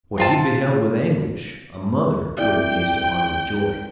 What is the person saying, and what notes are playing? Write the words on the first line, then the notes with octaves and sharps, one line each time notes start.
What he beheld with anguish, a mother would have gazed upon with joy.
C4 F4 A5
C4 E4 D5 G5